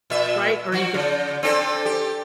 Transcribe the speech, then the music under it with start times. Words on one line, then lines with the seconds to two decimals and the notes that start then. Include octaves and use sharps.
Right, or you could
0.10 A#2 E5
0.72 F3 F#4
0.94 C#3
1.43 C4 D4 A4
1.85 G4